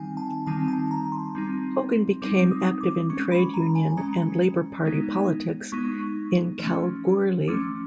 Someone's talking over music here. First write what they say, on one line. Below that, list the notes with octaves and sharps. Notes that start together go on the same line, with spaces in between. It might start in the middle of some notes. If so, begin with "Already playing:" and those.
Hogan became active in trade union and Labor Party politics in Kalgoorlie.
Already playing: D#3 G3 C4 D#4 G#5
A5
D#3 G3 C4 D#4 A5
A5
A#5
C6
G3 C4 D#4
G3 C4 D#4 D6
D#6
D6
G#3 C#4 C#6
B5
A#5
G#5
G#3 C#4 A#5
G#3 B3 D#4
G#3 B3 D#4 C#6
F3 A3 C#4
F3 A3 C#4 D6